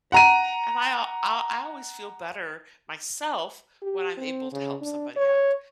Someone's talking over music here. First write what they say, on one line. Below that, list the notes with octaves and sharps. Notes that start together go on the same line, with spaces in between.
Yeah, and I I I always feel better myself when I'm able to help somebody out.
F#5 A#5 D#7
G4
C4
C#3
D4
C#5